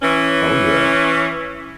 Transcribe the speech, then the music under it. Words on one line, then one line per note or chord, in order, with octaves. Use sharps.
Oh, yeah.
E3 C#4